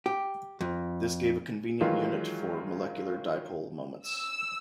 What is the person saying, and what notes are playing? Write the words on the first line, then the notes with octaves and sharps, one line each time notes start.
This gave a convenient unit for molecular dipole moments.
G4
F2
D#3 E3 F#3 G#3 F4
E6